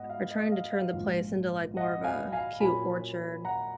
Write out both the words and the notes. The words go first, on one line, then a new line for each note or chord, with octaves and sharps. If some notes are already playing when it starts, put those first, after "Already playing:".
are trying to turn the place into like more of a cute orchard.
Already playing: G#2 B3 D#5 F#5
F5
D#5
F5
F5
A#1 G#2 F3
D#5 F#5
F5 G#5
F5 G#5
A#2 F#3 C#4 F4 G#5 B5
F#5 A#5